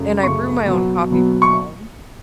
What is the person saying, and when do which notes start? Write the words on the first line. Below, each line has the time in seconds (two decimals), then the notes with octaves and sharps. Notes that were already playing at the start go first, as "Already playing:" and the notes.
And I brew my own coffee from home.
Already playing: F#2 C#3 A3
0.22 F#2 C#3 A3 C#6
0.66 B2 F#3 B3
1.10 B2 F#3 B3
1.42 C#6